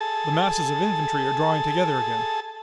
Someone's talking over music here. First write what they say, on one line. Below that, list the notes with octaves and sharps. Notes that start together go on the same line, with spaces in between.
The masses of infantry are drawing together again.
G#4 A4 A5